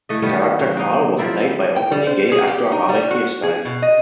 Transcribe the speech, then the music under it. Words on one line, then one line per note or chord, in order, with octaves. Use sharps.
The character Karl was played by openly gay actor Harvey Fierstein.
E3 A3 D#5
D#3 G3 A3 B3
F#3
A#3 D#4
F3 G3 C4 E4
G5
G3
C5
G#4
G4
D#4
G3
F#4
G#4
B2
D#5